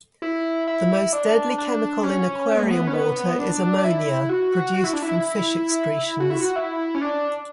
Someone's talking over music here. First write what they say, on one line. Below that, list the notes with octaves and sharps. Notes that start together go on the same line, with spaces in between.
The most deadly chemical in aquarium water is ammonia, produced from fish excretions.
E4
E4
D4
D4
C#4
C#4
B3
A3
B3
C#4
B3
D4
D4
E4
F#4
F#4
E4
D4
E4
E4
F#4
E4
F#4
E4
C#4
D4